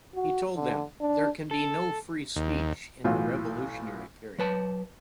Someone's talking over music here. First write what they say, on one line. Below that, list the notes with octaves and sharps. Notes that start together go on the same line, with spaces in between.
He told them: There can be no free speech in a revolutionary period.
F#4
D3
D4
A4
D#2
B1 A2 E3 F4 F#4
F#3 B4 A5